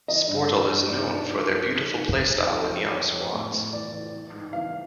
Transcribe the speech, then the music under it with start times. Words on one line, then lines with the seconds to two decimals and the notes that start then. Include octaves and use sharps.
Sportul is known for their beautiful play-style and young squads.
0.08 E3 D#5
0.28 G2
0.49 E3
0.69 G2
0.89 G#2 D5
1.09 G#2
1.30 F3
1.50 F3
1.70 G#2
1.90 D#3
2.11 D#3
2.30 D#3
2.52 F2
2.71 F2
2.91 F2 C#5
3.11 F2
3.33 A2
3.52 A2
3.73 E3 D5
3.92 E3
4.13 E3
4.33 G#2
4.53 E3 F5